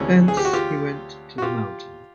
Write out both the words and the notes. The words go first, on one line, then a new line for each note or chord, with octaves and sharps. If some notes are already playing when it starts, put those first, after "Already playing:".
Thence he went to the mountain.
Already playing: D2 C3 E3 G#3 C#4
G#4
G4
F#4
F4 G4
F#4
F4 G4